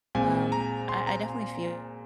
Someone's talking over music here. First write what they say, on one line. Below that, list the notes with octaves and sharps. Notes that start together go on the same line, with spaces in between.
um, I I definitely feel
A#2 G#3 C4 G#5
A#5
C6
A#5